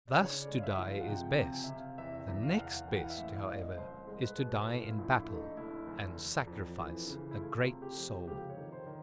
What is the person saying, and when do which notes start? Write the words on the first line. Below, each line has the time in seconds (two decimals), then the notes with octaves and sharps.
Thus to die is best; the next best, however, is to die in battle, and sacrifice a great soul.
0.08 D5
0.18 C#3 C#5
0.41 D5
0.48 G#3
0.57 F5
0.63 E5
0.78 F3
0.86 F5
1.01 F#5
1.08 C3 G5
1.30 G5
1.38 C3
1.53 G#5
1.64 C3 E5
1.76 F5
1.98 E2 E5
2.21 E5
2.28 E2
2.43 F5
2.50 F#5
2.57 E2 F5
2.66 F#5
2.88 E3 G5
2.95 F#5
3.03 F5
3.10 E5
3.18 A1
3.33 F5
3.46 A1 D5
3.55 D#5
3.77 C2 C5
4.07 G#3
4.22 B4
4.38 B2
4.68 A2
4.81 F4
4.91 E4
4.98 A#1
5.13 E4
5.28 A3
5.35 D#4
5.57 F1 E4
5.87 E2
6.18 E2
6.47 F2
6.78 E3
7.07 C#3
7.31 E4
7.37 A3 F4
7.67 C3
7.82 G4
7.97 F2
8.28 C#2 G4
8.50 C#5
8.57 D#3
8.72 C5
8.87 D#3